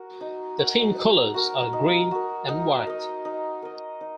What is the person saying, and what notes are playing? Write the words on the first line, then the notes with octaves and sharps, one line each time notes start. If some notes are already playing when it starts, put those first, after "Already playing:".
The team colours are green and white.
Already playing: F#4 A#4
D#4
F#4 A#4
D#4
F#4 A#4
D#4
F#4 A#4
D#4
A#4 D#5
D#4
A#4 D#5
D#4